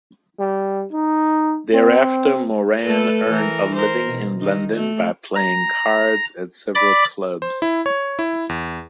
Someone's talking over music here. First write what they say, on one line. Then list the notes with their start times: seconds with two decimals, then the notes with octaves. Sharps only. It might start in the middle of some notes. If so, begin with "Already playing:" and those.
Thereafter Moran earned a living in London by playing cards at several clubs.
0.39 G3
0.92 D#4
1.73 C4
2.84 A3 A4 B4
3.31 E3 A#4
3.75 A#4 C5
4.07 B2
4.40 D#3
4.75 A3
5.36 A#5
6.75 D5 B5 D6
7.42 C5
7.62 E4
7.86 C#5
8.19 E4
8.49 E2